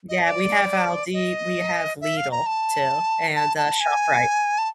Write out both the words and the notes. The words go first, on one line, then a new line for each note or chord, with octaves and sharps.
Yeah, we have Aldi, we have Lidl too, and uh, ShopRite.
D#5
D5
D#5
E5
F5
A#5
A5
A5
A5
G#5
A5